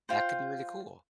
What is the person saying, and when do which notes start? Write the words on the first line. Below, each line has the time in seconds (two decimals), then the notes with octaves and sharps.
that could be really cool.
0.09 F4 C5 G5